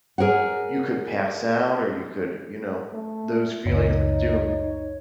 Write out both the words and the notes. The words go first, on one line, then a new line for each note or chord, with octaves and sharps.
you could pass out or you could, you know those feelings of doom.
G#4 A#4 C#5 F#5
A3
F#1 C#2 D#4 C#5